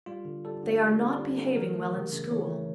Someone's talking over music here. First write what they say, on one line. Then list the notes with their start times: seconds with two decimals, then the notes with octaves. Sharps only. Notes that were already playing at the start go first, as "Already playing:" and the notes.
"They are not behaving well in school."
0.06 G3 F4
0.25 D3
0.45 G3 A4
0.63 D3
0.82 G3
1.01 D3
1.18 G3
1.38 D3
1.56 E3 A#4
1.75 A3
1.93 C#3
2.12 C#3
2.30 E3 C#5
2.49 A3